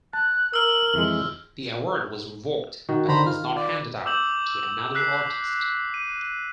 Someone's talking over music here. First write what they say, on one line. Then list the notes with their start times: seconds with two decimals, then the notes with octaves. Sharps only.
The award was revoked, but was not handed out to another artist.
0.13 A5 F#6
0.54 A#4 E6 F6 F#7
0.94 F2 E3 G#3
2.89 D#3 F#4
3.08 D3 C5 A#5 B5
3.26 F4 F6
3.56 D5
4.06 D6 E6 G6 E7 F#7
4.95 E6 F#6 B6 C7
5.94 D#7